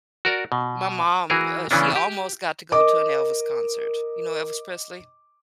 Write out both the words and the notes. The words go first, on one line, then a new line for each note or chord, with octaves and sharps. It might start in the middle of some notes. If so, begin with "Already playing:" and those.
my mom, uh, she almost got to go to an Elvis concert, you know, Elvis Presley?
F#4 A#4 D5
B2
E3 F#4 G#4 A#4
C#3 E3 B3 C#4 D4
G4
A#4 D#5 D6